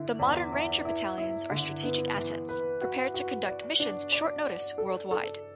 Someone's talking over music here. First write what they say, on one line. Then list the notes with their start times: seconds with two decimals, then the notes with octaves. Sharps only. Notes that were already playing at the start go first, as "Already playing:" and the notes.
The modern Ranger battalions are strategic assets, prepared to conduct missions short-notice worldwide.
Already playing: D3 E4
0.19 E2
0.52 E4
0.85 E4
1.18 E4
1.50 D3
1.83 B3
2.16 E3
2.49 B4
2.81 F#4
3.14 F#4
3.47 D5
3.80 D4
4.12 D5
4.45 D5
4.78 A4
5.11 A4